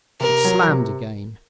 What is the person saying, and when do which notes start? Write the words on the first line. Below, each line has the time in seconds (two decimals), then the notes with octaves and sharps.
It slammed again.
0.20 C3 A#4
0.44 F#3
0.68 C3